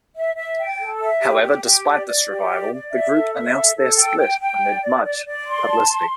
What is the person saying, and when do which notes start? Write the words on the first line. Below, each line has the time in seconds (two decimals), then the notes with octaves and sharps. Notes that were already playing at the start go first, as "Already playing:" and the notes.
However, despite this revival, the group announced their split amid much publicity.
0.15 E5
0.37 E5
0.58 G5
0.79 A4
1.01 E5
1.21 G4
1.43 G4
1.64 G4
1.86 D5
2.07 D5
2.28 G4
2.49 D5
2.71 D5
2.91 E5
3.13 A4
3.34 E5
3.55 A4
3.76 A4
3.97 G5
4.18 G5
4.40 G5
4.61 D5
4.82 D5
5.03 D5
5.25 D5
5.46 C6
5.67 A5
5.89 C6